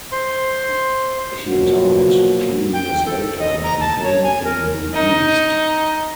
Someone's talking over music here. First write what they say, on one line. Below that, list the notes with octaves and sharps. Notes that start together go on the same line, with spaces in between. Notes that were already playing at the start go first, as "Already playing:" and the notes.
He died three years later on campaign in the east.
C5 C6
B2 F3 F#3 A#3 F#4
G5
A4
D#5
A#5
A5
C#5
G#5
A#4
D#4